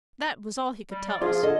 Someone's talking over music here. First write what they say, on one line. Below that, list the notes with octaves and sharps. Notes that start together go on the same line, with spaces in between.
That was all he could tell us.
G3
D5
F3 F4 G#4
D3 A4 D#5